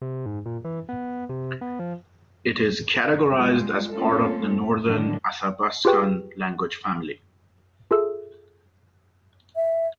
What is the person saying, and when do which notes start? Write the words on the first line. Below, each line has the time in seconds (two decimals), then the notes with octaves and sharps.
It is categorized as part of the Northern Athabaskan language family.
0.02 C3
0.26 G#2
0.46 A#2
0.65 E3
0.89 B3
1.29 C3
1.61 B3
1.79 F3
3.32 G3 G#3 F4
3.92 A3 A#3 C4 C#4 F4 A4
4.56 A3
4.84 A2 D3 D#3 F#3 D4
5.85 F4 G4 G#4 B4 G5 C#6
7.91 F4 G#4 A4 E5 E6
9.56 E5